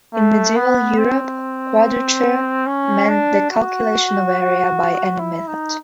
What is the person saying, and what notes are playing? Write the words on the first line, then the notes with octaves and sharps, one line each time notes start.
In medieval Europe, quadrature meant the calculation of area by any method.
A3
B3
C4
C#4
D4
F#4
E4
D#4